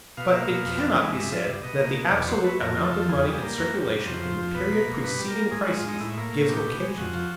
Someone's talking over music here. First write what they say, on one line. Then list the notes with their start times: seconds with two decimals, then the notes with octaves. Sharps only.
But it cannot be said that the absolute amount of money in circulation in the period preceding crises gives occasion to them.
0.17 B2 F5
0.31 A#3 E5
0.41 F5
0.50 B2
0.65 F2
0.82 E3
0.98 G#3
1.15 G2 E5
1.31 F3
1.46 G2
1.63 B2 D#5
1.80 A#3
1.96 B2
2.11 E2 D5
2.28 F#3 C5
2.44 A3 B4
2.60 F2 A#4
2.77 F3
2.85 A4
2.93 F2
3.08 E2 G#4
3.25 G3
3.42 A#3
3.58 F#2 A#4
3.74 G3
3.90 F#2
4.06 F2 C5
4.22 F3
4.38 F2
4.55 B2 B4
4.71 A#3
4.87 B2
5.03 G2 B4
5.19 G3
5.28 A#4
5.36 A#3
5.51 G#2 G#4
5.64 F#4
5.68 G#3
5.76 F4
5.84 G#2 D#4
6.00 A2 E4
6.17 A#3
6.33 A2
6.49 B2 G4
6.65 B2
6.82 G#3
6.98 F2 F#4
7.14 F3